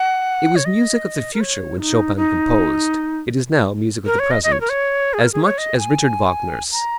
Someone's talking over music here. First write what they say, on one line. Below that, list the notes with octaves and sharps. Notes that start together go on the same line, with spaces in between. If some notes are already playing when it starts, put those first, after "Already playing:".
It was music of the future when Chopin composed; it is now music of the present, as much as Richard Wagner's.
Already playing: F#5
C#5
D#5
A#4
C#5
D#4
D#4
A#4
C#5
D#5
D#5
C#5
A#4
C#5
G#4
A#4
G#4
C#5
D#5
G#5
A#5